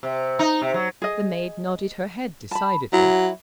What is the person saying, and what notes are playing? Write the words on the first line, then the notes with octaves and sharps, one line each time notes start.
The maid nodded her head decidedly.
C3
D#4
C3
F#3
G#4 D#5
A5 B5
F#3 E4